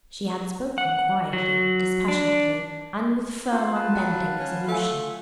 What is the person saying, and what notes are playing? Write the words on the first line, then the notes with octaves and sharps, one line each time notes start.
She had spoken quietly, dispassionately, and with firm, unbending resolution.
F#5
F#3
D4
F4 C5 F#5
B4 F5 A5
F#3 F#5
C#4
A3 F4 F5 G#5